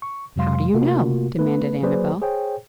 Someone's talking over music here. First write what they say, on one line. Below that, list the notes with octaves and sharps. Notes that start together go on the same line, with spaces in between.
"How do you know?" demanded Annabel.
C#6
F2 C3 F#3 G#3 F5 C6
C3 A3 A#3 F4 F#4 A#4
A3 B3 A4 B4
F#3 A#3 G#4 B4 C5 D5
G#4 C5 C#5 G5